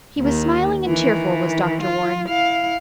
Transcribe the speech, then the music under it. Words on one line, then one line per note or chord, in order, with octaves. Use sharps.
He was smiling and cheerful, was Dr. Warren.
D#2 D#3
D#3 E3
F4
E4 F5